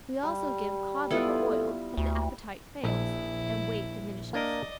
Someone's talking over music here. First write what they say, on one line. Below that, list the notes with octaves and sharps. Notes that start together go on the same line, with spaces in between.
We also give cod-liver oil, if the appetite fails and weight diminishes.
G3
B3 E4 F4 A4
D2
A#1 E4
A#3 D4 A#4 D5 D#5